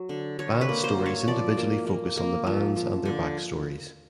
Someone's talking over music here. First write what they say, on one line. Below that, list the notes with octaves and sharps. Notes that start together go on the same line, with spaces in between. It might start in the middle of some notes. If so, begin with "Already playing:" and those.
Band stories individually focus on the bands and their backstories.
Already playing: F#3
D3
D3 C#5
B4
A#3
C5
F#3
C#5
F3 D5
A#3
A#3
A#3
F3
F3
D3